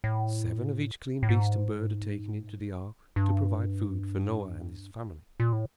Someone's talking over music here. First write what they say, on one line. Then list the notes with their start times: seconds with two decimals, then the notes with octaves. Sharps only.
Seven of each clean beast and bird are taken into the ark to provide food for Noah and his family.
0.04 A2
1.23 A2
1.29 G#2
3.16 G2
5.40 A#2
5.53 A2